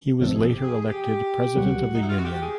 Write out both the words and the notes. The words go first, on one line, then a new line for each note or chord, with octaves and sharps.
He was later elected president of the Union.
G1 F2 C3 A4
G#4
G4
G#4
G4
C#2 B2 G3 F#4
D#4
E4
F4
F#4
G4
G#4